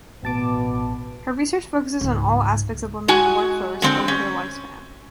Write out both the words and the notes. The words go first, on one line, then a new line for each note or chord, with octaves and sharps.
Her research focuses on all aspects of women in the workforce over their lifespan.
A1 B2 B3 A5 D6
C#2 G#2
G#3 F#4 G#5
D3 G#3 C4
C#4